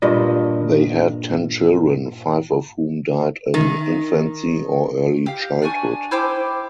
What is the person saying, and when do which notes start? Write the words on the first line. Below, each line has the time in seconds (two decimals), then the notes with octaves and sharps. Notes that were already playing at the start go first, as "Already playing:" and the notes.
They had ten children, five of whom died in infancy or early childhood.
0.02 G2 A#2 D#5
3.54 D#3
5.26 G4 F5
5.62 D4 G#5 C#6
6.11 E4 C5 G5 D6